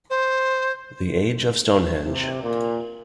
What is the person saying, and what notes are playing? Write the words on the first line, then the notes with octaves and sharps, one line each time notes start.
"The Age of Stonehenge".
C5
C3
A#2